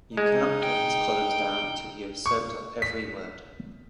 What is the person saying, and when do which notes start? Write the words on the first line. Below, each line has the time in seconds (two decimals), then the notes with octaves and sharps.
You cannot put his columns down until you have soaked up every word.
0.17 G#3 D#4
0.63 G5
2.26 C#6
2.82 B6